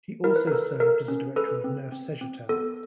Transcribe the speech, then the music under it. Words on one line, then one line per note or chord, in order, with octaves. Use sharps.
He also served as a director of Neuf Cegetel.
E4 A#4
B4
A4 A#4
A4 A#4
C#4
G#4 A4 B4
C4
C4
C4
B3 A4